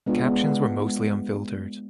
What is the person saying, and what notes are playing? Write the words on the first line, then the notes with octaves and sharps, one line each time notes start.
Captions were mostly unfiltered.
G#3 B3 D4 F4